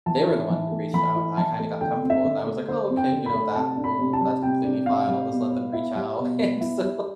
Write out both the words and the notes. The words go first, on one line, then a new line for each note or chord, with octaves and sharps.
they were the one who reached out, and I kinda got comfortable, and I was like, "Oh, okay, you know, that will that's completely fine, I'll just let them reach out," and so,
E3 A5
E4
E3
A3
E3 B5
E4
E3 A5
A3
D3 G5
C4
E5
D3
A3
D3 C5
C4
G5
D3
B5
A3
C3 A5
D4
B5
C3
A5
G3
C3 G5
D4
C3 F5
G3
B2
B3
E4
G3
B2
B3
E4
G3